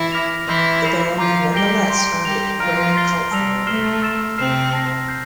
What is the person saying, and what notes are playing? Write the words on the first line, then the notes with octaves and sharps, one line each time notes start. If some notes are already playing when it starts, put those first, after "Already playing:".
The band have nonetheless earned a growing cult following.
Already playing: E3 E4
D6 F6 A#6 F7
E3 E4 C6 E6 G6 C7 G7
G6 C7 F7
F3 F4 A#5 D6 G6 C7
G3 G4 G6 A#6 D7 G7
C6 G6 D7
G3 G4 G6 A#6 F7
F3 F4 A#5 F6 A#6 D7
C6 F6 A6 C7 G7
G3 A5 E6 A#6 F7
A3 F6 C7 E7 G7
E6 A6 E7
C3 C4 F6 C7 E7
A5 E6 A#6
G6 C7